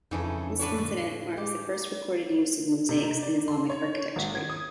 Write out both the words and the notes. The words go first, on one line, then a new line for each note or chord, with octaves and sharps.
This incident marks the first recorded use of mosaics in Islamic architecture.
F2 C#3 E3 D#4 E4 A4
A2 D4 A4 B4 C#5
D3
G#3 G4
C3
D#4
D5
C6
C#5
G#1
G#6
D#6